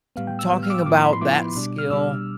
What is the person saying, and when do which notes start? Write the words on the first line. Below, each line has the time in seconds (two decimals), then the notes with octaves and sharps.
t talking about that skill,
0.16 A2 G3 B3 F5
0.27 G5
0.39 E6
0.51 A2 G3 B3
0.63 F6
0.70 D6
0.74 E6
0.86 A2 F3 B3 E4 D6
0.95 C6
1.04 B5
1.13 C6
1.21 A2 F3 B3 E4 D6
1.55 B2 G3 D4
1.78 F6
1.90 B2 G3 D4 E6